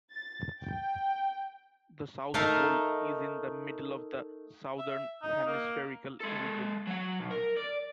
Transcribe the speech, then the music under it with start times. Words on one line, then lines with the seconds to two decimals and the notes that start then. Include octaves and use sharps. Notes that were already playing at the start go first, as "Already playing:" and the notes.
The South Pole is in the middle of the southern hemispherical region.
0.13 A6
0.61 G5
2.34 A3 D#4 A#4 E5 F5 A5
4.79 E5
5.22 D#4
5.47 A#3
6.21 G#3 A4
6.87 F#3 F#5
7.20 B1
7.31 A#4
7.57 D5